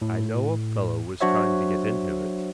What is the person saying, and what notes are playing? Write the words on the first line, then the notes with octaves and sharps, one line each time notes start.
I know a fellow was trying to get into it.
A2
F#3 D4 F#4 C5 C#5 E5